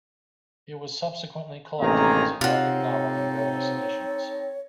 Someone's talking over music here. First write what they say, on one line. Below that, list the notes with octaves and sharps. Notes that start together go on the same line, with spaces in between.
It was subsequently collected as a graphic novel in various editions.
A1 C3 D#3 A#3 G#4 A#5
C3 C4 D#4 F4 F#4 A4 C#5